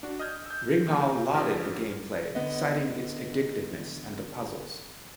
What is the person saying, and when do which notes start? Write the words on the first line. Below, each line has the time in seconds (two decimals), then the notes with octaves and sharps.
Rignall lauded the gameplay, citing its addictiveness and the puzzles.
0.03 D4 F#4
0.19 D#5 D#6 F6 G6 G#6
0.46 E6 G6
0.87 A#2 C#3 A5
1.34 A1 F3 G4 A#4 F6
2.35 D3 B3 B4 D#5